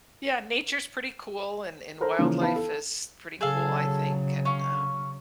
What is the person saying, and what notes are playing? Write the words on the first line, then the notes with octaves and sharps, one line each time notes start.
yeah, nature's pretty cool and, and wildlife is pretty cool, I think, and, um
A4 A#4 C5 A#5
C#3 E3 F3 A#3 C#4
B3 E4 B4 F5 A5
A4
C#3 F#3 G#4 A4 F5
C#4 F5